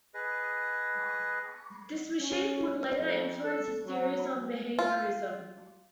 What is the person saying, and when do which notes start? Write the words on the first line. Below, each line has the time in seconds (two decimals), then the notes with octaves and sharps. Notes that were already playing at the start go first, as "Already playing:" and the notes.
This machine would later influence his theories on behaviorism.
0.14 G#4 B4 D#5
2.21 C#4
2.98 F2
3.44 A4
3.86 F#3
4.79 F4